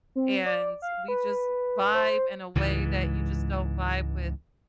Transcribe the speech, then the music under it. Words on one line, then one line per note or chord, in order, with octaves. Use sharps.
and we just vibe in a way that you just don't vibe with
C4
D5
F5
B4
C5
C#2 G#2 E3